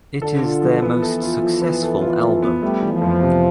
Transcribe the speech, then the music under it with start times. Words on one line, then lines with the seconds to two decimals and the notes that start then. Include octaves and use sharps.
It is their most successful album.
0.22 D3 A4
0.42 F4
0.62 F3
0.82 E3 B3
1.02 A4
1.22 F4
1.42 F3
1.62 B3
1.83 A4
2.01 F4
2.22 F3
2.43 B3
2.62 G3 A3
2.82 E3
2.93 F3
3.02 F2
3.22 C3